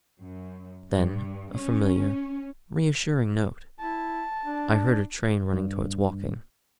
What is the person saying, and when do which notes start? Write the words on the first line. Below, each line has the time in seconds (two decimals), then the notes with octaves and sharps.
Then--a familiar, reassuring note--I heard a train running towards Woking.
0.20 F#2
0.91 G2
1.55 C#4
3.80 E4 A5
4.45 D4
5.53 G2